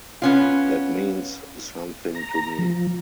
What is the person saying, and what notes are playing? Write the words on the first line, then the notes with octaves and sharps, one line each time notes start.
That means something to me.
B3 C#4 F4
A#5
F3